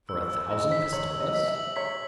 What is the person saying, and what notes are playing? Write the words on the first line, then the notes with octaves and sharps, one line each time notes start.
"For a thousand pistoles?"
E6
E6
D#5 E6
B6
C#5 F#7
E6
D#5
B6
E5
F#7
C#5 B6